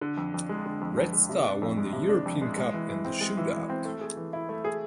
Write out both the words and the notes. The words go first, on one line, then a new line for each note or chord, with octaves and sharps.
Red Star won the European Cup in the shootout.
D3
F2
F2
G#3
D3
F2
F2
G#3
C3
D4
F2
G#3
C3
D4
F2
G#3
G#3
E3
E3
C4
G#3
E3
E3
C4
A3
G#4
E3
E4
A3
G#4